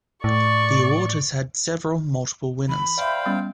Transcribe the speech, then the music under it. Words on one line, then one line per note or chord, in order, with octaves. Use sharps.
The award has had several multiple winners.
A2 D5 C#6
E3 B5
C5 D5 E5 F5 G5
G3 B3 C#4